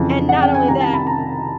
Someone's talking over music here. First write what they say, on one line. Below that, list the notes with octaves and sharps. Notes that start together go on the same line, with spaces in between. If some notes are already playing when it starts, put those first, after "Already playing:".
and not only that,
Already playing: F2 C#3 E3
F#5
G5
G#5
C2 C3 D#3 A#5
A5
B5
A#5